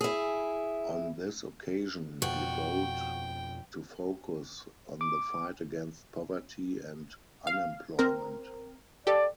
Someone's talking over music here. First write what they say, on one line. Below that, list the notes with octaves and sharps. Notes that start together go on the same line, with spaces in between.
On this occasion, he vowed to focus on the fight against poverty and unemployment.
E4 G#4
F2 B2 F3 F#4 G5
D6
F5
C4 A#4
G4 A4 D5